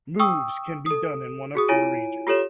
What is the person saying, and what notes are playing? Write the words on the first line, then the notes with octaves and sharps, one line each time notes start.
Moves can be done in one of four ranges.
G5 C#6 D#6 E6
A4 D#6
F#4 G#4 D#6
E4 F4 C#5 G#5 D7 D#7
F4 G4 A4 C#5 E7